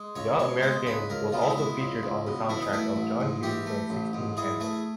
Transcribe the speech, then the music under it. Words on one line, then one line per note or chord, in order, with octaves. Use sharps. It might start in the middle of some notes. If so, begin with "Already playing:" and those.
"Young Americans" was also featured on the soundtrack of John Hughes' film "Sixteen Candles".
Already playing: G#3
C#2 C#5
B2 C#5
G#3 C5
C#2 B4
C#2 A#4
B2 F4
E4
D#4
G#3 E4
C#2
C#2
B2
E3 E4
D#4
A3 E4
A1
G#2
E3 G4
A3
A1
G#2
E3 G#4
A3 G#4